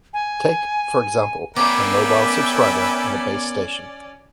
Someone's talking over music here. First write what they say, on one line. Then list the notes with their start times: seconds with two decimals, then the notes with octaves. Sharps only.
Take, for example, a mobile subscriber and a base station.
0.13 G#5
1.57 B3 C#4 A#4 B4 D5 E5 G5 D6